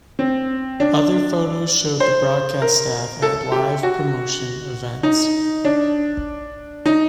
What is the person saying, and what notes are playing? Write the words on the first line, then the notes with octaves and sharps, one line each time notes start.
Other photos showed the broadcast staff at live promotion events.
C4
D4
C5
A#4
A4
G4
F#4
D#4
D4
D#4